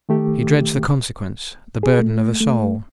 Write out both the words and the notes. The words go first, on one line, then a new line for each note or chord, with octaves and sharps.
He dreads the consequence--the burden of a soul.
D#3 A3 G4
G#4
A3
A3